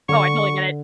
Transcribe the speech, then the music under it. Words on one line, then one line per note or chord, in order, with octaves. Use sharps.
Oh, I totally get it.
D3 C#6